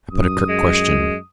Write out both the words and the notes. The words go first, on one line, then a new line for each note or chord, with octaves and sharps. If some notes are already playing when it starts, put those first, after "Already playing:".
I put a curt question.
F#2 D#6
G#3